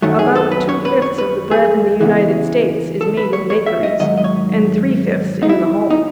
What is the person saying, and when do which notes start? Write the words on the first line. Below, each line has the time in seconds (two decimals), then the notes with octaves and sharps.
About two-fifths of the bread in the United States is made in bakeries and three-fifths in the home.
0.02 F#2 D#3 F#3 A3
0.19 G#4
0.35 A4
0.51 B4
0.69 C#5
0.85 B4
1.02 C#5
1.18 B4
1.51 G#4
2.01 E2 C#3 E3
3.01 A4
3.17 B4
3.33 C#5
3.50 C#5
3.66 E5
3.83 D#5
4.00 G#2 D#3 F#3 D#5
4.17 D#5
4.24 C#5
5.43 D#4
5.49 E4
5.90 D#4